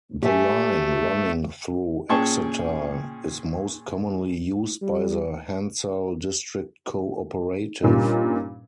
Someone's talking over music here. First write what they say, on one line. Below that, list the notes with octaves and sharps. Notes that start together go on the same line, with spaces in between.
The line running through Exeter is most commonly used by the Hensall District Co-Operative.
A3 G4 E5 G#5
A#2 C#4 G#4 G5 A5 C#6
G3
G2 A#2 G3 C#4 D#4